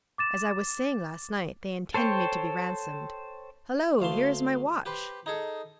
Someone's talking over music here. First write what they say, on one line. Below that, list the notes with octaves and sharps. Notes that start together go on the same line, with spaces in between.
As I was saying last night, they intend me to be ransomed. Hallo, here is my watch!
D6 A6 E7
A4 C5 C#5 G5
D2 F5 A5 C6
G4 B4 C5
D#4 G#4 A4